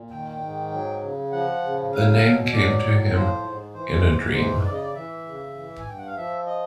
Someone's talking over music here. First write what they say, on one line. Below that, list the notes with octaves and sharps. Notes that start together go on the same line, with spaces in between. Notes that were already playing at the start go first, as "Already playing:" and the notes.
The name came to him in a dream.
Already playing: A#2
D#3 G5
G#2
F#3
C#3
F3 F#5
C#3
F#3 F5
B2
F#3 D5
A2
F3 C5
G#2
E3 C5
G#2
E3 C5
C#3 D5
D#5
D5
E3 E5
C#3
E3
G#5
G2 G5
F#5
F5
F3 E5
D#5